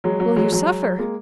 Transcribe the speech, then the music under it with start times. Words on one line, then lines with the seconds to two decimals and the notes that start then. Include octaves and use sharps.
"Will you suffer?"
0.04 F#3 G#3
0.20 F#3
0.36 F#3 G#3
0.52 F#3 G#3
0.99 G#3 A#3